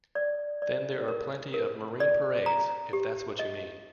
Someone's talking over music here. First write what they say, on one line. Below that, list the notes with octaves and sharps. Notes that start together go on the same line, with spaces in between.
Then there are plenty of Marine Parades, if that’s what you mean.
D5
D5
A#4
A#4
D5
A#5
G4
D#5